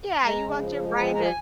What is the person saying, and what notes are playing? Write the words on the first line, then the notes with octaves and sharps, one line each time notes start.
Yeah, you want your brain to
G#3 A#5
C#3
F3
G#3
F3 A#5
G5
F3 A#5
G#5